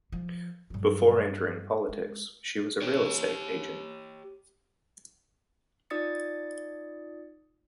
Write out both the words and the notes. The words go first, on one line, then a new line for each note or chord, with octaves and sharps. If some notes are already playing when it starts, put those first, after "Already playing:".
Before entering politics, she was a real estate agent.
F3
G2 F#3
G#3
G4 C#5
D#4 F4 D5 D#6 A6 C#7